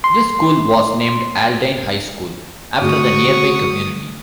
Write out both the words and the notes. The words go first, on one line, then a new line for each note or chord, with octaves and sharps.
This school was named Aldine High School, after the nearby community.
C6
D3 A3 F#4 G#4 C#6 D#6